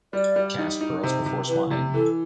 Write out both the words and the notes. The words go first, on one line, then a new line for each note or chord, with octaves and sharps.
Cast pearls before swine.
G3 D5
G3
D#4
D#4
C3 C5
C3
E3 B4
C3
E3 A4